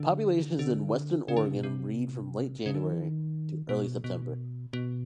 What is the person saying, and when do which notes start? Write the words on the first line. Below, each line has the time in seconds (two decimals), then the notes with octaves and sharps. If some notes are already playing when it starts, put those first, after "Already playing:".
Populations in western Oregon breed from late January to early September.
Already playing: D3
0.59 D3
1.28 C#3
1.37 D3
1.46 C#3
1.55 B2
1.63 C3
2.66 C#3
2.75 D3
2.84 D#3
2.92 E3
3.00 D#3
3.69 B2
4.04 B2
4.73 B2